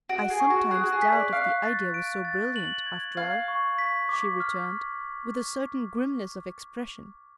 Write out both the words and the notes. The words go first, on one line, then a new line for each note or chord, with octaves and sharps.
"I sometimes doubt if the idea was so brilliant, after all," she returned, with a certain grimness of expression.
F#4 D7
G#4
C#6
F#4
G#4 F#6
F#4
G#4
B6
D5
F5 F#6
A6
D7
A6
F#7
G#6
F5 G#6
C#6
B6
D6
F6